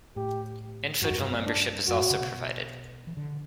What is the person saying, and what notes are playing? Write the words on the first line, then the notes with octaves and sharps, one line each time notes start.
Individual membership is also provided.
A2 G4
G2 F#4
F#2
G2
D4
F#2 F#4
A2
C#3
B2
E3
D3